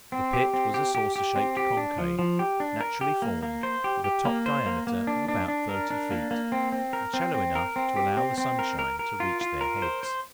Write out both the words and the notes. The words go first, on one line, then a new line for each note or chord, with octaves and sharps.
The pit was a saucer-shaped concave, naturally formed, with a top diameter of about thirty feet, and shallow enough to allow the sunshine to reach their heads.
C4
G4
C4
G4
G4
G4
C4
G4
D4
F3
F3
G4
D4
A#4
G4
A#3
A#3
C5
G4
G4
A#3
C5
A#3
A#3
D4
D4
D4
A#4
D4
A#3
A#3
C4
C4
A#4
C4
C4
A#4
C4
G4
C4
C4
A#4
A#4
A#4
F4
F4
A#4
C5
C5